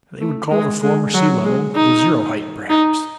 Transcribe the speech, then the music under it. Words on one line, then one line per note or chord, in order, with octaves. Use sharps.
They would call the former sea-level the zero-height, perhaps.
A3
G#3
G#3
F#3
G#3
D#4
D#4